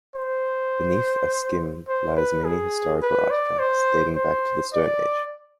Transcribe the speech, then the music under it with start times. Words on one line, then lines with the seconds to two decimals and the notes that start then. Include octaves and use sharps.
Beneath Askim lies many historical artifacts dating back to the Stone Age.
0.15 C5
1.88 C5
2.17 B4
2.44 G#4
3.02 B4
3.30 D5
3.59 C5
4.16 C5
4.73 D5